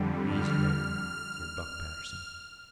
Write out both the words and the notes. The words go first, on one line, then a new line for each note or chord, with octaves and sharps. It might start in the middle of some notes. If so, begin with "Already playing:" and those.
"Easy there!" said Buck Patterson.
Already playing: F2 D3 G3
F6